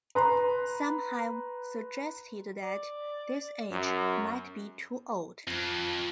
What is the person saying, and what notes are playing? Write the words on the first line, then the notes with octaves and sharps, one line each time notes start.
Some have suggested that this age might be too old.
B4 A#5 C6
D5
F#2
F2